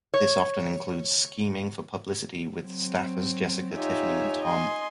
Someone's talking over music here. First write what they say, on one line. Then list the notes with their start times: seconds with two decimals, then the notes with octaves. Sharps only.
This often includes scheming for publicity with staffers Jessica, Tiffany, and Tom.
0.14 C#5
2.64 F#3 C4
3.75 D#4 F4 G4 C#5 E5 G#5
4.43 D#5 G#5 C6